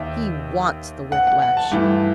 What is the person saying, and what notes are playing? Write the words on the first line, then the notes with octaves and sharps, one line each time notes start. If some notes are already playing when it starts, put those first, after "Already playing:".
He wants the whiplash.'
Already playing: D#2 D#3 E5
F#5
F#5
F#5
A5
G2 E3 A3